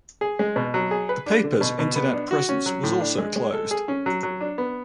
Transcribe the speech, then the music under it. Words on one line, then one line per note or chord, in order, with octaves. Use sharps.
The paper's internet presence was also closed.
G#4
G#3
B2
F#3
G#4
B4
D4
D3
B2
B2
B3
D4
F#4
C#4
F#3
A2
D4
G#3
G#3
A4
G#4
C#4
F#3
F#3
D4
B3